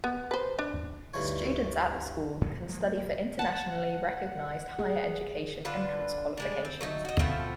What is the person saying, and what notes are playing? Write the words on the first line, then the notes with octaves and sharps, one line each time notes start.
Students at the school can study for internationally recognised higher education entrance qualifications.
B3
B4 C5
D4
D2 G2 D3 E3 D#4 C#5
G2 B2
F3 F#3 G#3 A#3
B1
F#5 A5
G#4
D3 D4 F4 B4
G3 G#3 D4
C4
F#3 A3 D#4
F#4 D#5
B2 F3 A3 C4